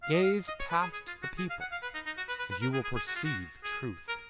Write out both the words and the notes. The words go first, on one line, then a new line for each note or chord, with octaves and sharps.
Gaze past the people, and you will perceive truth.
F5
D#5
F5
D#5
C#5
B4
G#4
G#4
F4
F#4
G#4
F5
F#5
F5
B4
D#4
D#4
F#4
B4
B4
B4
A#4
G#4
G#4
G#4
F#4
F4
F#4
G#4
A#4